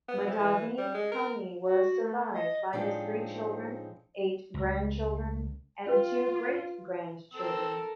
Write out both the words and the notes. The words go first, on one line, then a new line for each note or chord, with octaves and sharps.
Mahdavi Kani was survived by his three children, eight grandchildren and two great-grandchildren.
B3
C3
E3
G3
G#3
A#4
F#4
A3
D#5
A2 F3 G#3 C4 D4 D#4
C#2
C#4 F4 B4
C4 A4 A#4 E6